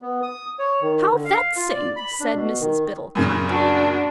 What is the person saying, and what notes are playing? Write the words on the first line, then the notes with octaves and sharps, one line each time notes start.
How vexing!' said Mrs Biddle, kindly.
B3
D#6
C#5
D#3
D3
F5
F4
D5
B5
D4
B2
D#3
F#2 A#2 C#3
D4 F#4